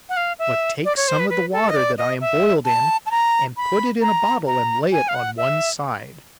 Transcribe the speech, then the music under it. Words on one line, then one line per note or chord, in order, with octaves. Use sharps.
But take some of the water that I am boiled in, and put it in a bottle and lay it on one side.
F#5
F5
E5
D5
C#5
C5
B4
B4
A4
D#5
D5
D#5
E5
A5
A5
A#5
B5
A#5
A#5
G#5
F5
F#5
E5